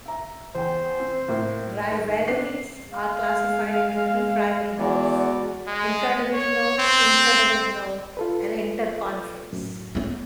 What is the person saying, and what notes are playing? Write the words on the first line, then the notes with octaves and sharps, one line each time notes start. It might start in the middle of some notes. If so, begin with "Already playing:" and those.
Rivalries are classified into three primary groups; intradivisional, interdivisional, and interconference.
E5 A#5
E2 C5 G5
C4
A2 A#3
D#3
D4 C7
G#3 F5
E2 F#4 D5
G#3
C#5
C4
F4 A4 B4
F#2 A2
A#3 B3